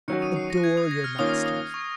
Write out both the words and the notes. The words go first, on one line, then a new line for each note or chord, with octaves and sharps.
Adore your masters.
D#3 F#3 C#4 F#4 C#6 C#7
D#6 D#7
C7
A#6
F#6
G#6
D#6
A#6
F6
D#3 A#3 C#4 F4 D#6
D#6
C#6